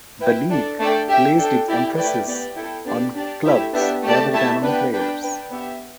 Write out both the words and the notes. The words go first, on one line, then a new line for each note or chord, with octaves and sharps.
The league placed its emphasis on clubs rather than on players.
E4 B4 G5
D4 A4 D5
A3 D4 A4 D5 G5
G4 E5 G5
D4 A4 G5
E4 G4 D5 G5
A3 E4 B4 D5 G5
B3 G4 D5 G5
E4 A4 G5
B3 D4 G4 D5
D4 G4 D5
A3 E4 G4 E5
B3 D4 G4 E5
A3 G4 D5 A5
A3 E4 G4 E5 A5
B3 D4 B4 G5
D4 B4 G5
D4 B4 G5
B3 G4 E5